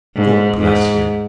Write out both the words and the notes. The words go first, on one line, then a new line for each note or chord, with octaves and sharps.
God bless you!
G#2
G#2